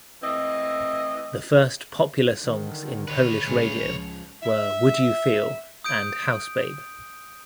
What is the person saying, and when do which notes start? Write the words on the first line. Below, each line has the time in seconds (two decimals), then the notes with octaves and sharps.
The first popular songs in Polish radio were "Would You Feel" and "House Babe".
0.23 A2 E3 C4 D#5
2.38 D3 D#3
3.08 B4 C#5
3.44 A2 C#3 G#3
3.76 C#2 F3
4.43 E5
5.84 D#6 G6 D7